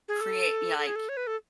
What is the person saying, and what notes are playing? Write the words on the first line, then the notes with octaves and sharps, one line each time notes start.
create you know, like,
G#4
A4
A4
G#4
A4
C#5
B4
A4